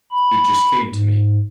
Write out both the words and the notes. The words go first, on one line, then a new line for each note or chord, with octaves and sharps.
It just came to me.
B5
G#2